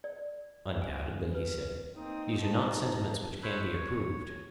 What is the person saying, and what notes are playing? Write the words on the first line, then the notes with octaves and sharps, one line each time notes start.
Undoubtedly, he said, these are not sentiments which can be approved.
D5
G#5
B4
A#3 C4 D#4 D#6
A5 A#5
C5 C#5 B5 E6 F#6
C#5